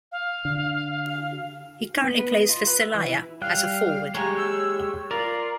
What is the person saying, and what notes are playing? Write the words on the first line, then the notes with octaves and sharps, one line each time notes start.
He currently plays for Celaya as a forward.
F5
D3
B3
B4
D#5
F4
B4
E6
E3
E4
G3 F5 G5 F#6
G#3 G4 C#5 A#5
E6
F4 A#4 D5